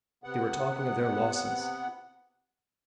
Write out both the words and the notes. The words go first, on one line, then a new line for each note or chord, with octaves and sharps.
They were talking of their losses.
C3 B3 F#5